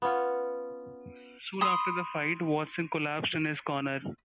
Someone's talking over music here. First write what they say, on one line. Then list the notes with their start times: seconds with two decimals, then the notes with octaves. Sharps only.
Soon after the fight Watson collapsed in his corner.
0.02 B3 C#4 F4 C#5
1.61 B5 C6 D#6